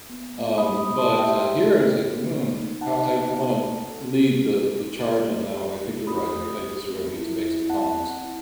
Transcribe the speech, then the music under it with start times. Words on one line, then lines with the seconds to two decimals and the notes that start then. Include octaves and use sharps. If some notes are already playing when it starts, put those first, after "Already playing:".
um, but, uh, here I was like, "Mm I I wanna lead the the charge on that one." I think you're right, I I just sort of need to make some comments.
0.10 B3
0.38 A3
0.58 B5 D#6
0.64 G4
0.77 B5 D#6
0.92 E4
0.98 A5 C6
1.18 G4 E5 G5
1.45 G4
1.73 A3
2.00 F#4
2.27 D#4
2.55 D#4
2.81 D#4 F#5 A5
3.09 D#4
3.35 F#4
3.62 A4
3.90 A4
4.17 A4
4.44 A4
4.71 A4
4.99 B3
5.25 A3
5.54 G4
5.81 D#4
6.07 A3 B5 D#6
6.35 A3
6.61 G4
6.89 C4
7.16 E4
7.43 E4
7.70 C4 F#5 A5
7.97 C4
8.24 E4